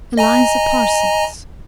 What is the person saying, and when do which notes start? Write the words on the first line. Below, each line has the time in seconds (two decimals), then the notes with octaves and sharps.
"Eliza Parsons."
0.17 D#5 G#5 A#5